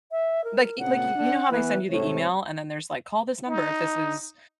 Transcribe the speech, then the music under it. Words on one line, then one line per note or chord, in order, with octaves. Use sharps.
like, y like, you you know how they send you the email and then there's like, "Call this number if this is"
E5
A#4
A#2 C#3 C4 F#5
D4
E3 B3 B4
G#2 C3 A3 C#5
D#4